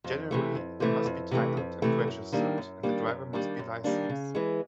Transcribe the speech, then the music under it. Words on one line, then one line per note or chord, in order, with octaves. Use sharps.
Generally, they must be titled and registered, and the driver must be licensed.
F2
C3 E3 A3
F2
C3 E3 A3
F2
C3 E3 A3
F2
C3 E3 A3
F#2
D#3 G3 A#3 D4
F#2
D#3 G3 A#3 D4
F#2
D#3 G3 A#3 D4
F#2
D#3 G3 A#3 D4
C#3
E3 G#3